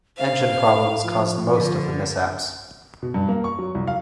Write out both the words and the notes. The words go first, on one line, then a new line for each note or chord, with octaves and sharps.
Engine problems caused most of the mishaps.
C5 F5
A3 E4
F3 F4
D3
B2
G2
A#3
C#6
F#3
C2
F5